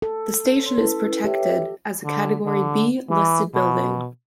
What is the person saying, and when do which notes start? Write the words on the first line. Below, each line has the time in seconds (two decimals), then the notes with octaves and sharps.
The station is protected as a category B listed building.
0.02 A4
0.62 C#5 C6
0.78 C#4 E4 A4 B4
1.25 G4 B4 C#5 E5
2.04 D3
2.45 D3
3.09 E3
3.55 B2